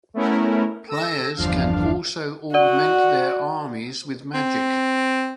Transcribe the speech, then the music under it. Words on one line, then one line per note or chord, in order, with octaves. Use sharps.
Players can also augment their armies with magic.
A3 B3 C#4 E4 A#4
A4 E6 A#6
G1 E2 F3 D4 F5
F#4 D5 F#5
C4